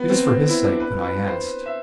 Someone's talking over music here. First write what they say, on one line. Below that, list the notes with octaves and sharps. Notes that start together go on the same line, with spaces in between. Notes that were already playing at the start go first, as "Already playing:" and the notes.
It is for his sake that I asked.
Already playing: B3
C4
C4
E4
D4
B4
B4
C5
E5